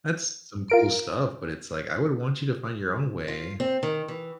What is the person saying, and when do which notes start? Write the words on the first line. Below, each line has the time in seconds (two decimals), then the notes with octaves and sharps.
that's some cool stuff, but it's like, I would want you to find your own way.
0.70 F4 A#4 D7
3.28 F4
3.60 C4
3.83 D#3
4.08 E3